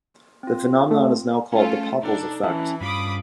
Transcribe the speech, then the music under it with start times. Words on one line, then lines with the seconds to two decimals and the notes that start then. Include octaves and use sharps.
This phenomenon is now called the Pockels effect.
0.43 C4 F4
0.91 A3
1.52 A3 C#4 F4 A4
2.03 D4 D#4 A4
2.43 E3 C#4 E4 A5
2.81 G2 C#4 F4 B5 D6 D#6